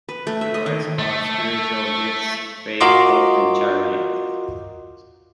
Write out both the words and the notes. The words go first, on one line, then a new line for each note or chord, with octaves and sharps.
He writes about spiritual gifts, faith, hope and charity.
B4
A3
E5
D#5
D#3
A3
F4 F#4 A#4 D#5 C6 D6